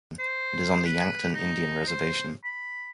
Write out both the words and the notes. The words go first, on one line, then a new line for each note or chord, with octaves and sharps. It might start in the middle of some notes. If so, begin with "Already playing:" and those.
It is on the Yankton Indian Reservation.
C5
B4
D#4
C5
B5